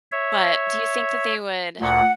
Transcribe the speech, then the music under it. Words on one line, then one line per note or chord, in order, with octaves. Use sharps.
But do you think that they would
C#5 E5
D2 A#2 F#5